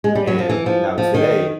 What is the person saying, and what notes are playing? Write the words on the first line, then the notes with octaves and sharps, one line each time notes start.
And now today,
G#3
G3
F#3
F3
E3
F3
F3
D#3